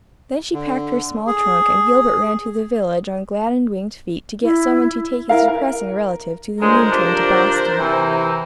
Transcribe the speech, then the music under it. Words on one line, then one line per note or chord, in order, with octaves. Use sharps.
Then she packed her small trunk and Gilbert ran to the village on glad and winged feet to get some one to take his depressing relative to the noon train to Boston.
D3
G#4
E4
E4 A#4 F5
A#4
C#2 D3 G#3 A#4 C5
C3 F3 D4
C3 E3